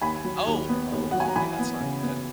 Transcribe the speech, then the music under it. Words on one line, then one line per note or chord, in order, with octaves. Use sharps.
Oh! Oh, okay. That's not good.
D#2 G#5 B5
F#3
D#2
B3
D#2
F#3 F#5
G#5
A#5
E3 G#5 B5
B3
C#3
B3